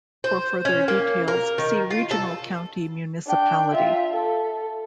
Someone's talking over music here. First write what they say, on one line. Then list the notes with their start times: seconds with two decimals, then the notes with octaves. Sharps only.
For further details, see Regional county municipality.
0.24 C5
0.65 C#4
0.88 A#3
1.28 A#4
1.58 D#3
1.90 F4
2.11 A4
3.27 D4 G5
3.74 F4 E5
4.14 A4